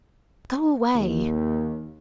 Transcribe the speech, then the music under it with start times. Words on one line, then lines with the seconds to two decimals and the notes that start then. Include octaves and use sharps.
Go away!
0.95 D#2